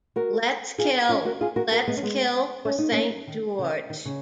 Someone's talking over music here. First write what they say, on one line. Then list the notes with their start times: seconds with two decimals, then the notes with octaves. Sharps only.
Let's kill, let's kill", "for Saint George!
0.16 F#4 A#4
0.78 F4 G#4
1.09 C#4 F4
1.25 F#4 A#4
1.41 F4 G#4
1.56 F#4 A#4
1.71 F#4 A#4
1.88 G#3 B3
1.97 C#4
2.03 G#3 B3
2.65 C#4
2.78 D#4
2.92 A#3 C#4
3.27 D#3
3.59 C#3
3.90 D#3
4.05 C#3